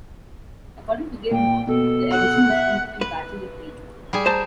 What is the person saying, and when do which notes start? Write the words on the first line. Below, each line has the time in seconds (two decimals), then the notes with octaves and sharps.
According to Gilmour, the edition was printed in batches of eight.
1.31 A#2 G5
1.67 B2 A4
2.11 F#5
2.49 E5
3.01 B4
4.13 G3 G#4
4.26 C5 A5 A#5